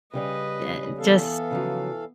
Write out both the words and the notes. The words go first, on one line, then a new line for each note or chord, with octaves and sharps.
e eh just
C#3 G3 C#4 B4 D#5
E3 B3 A4 F5
C#3 F3 F#3